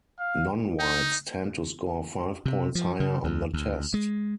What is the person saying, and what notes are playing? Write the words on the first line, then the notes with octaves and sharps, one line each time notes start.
Non-whites tend to score five points higher on the test.
F5
D#4
C3
F3
C#3
D2
D2
G#3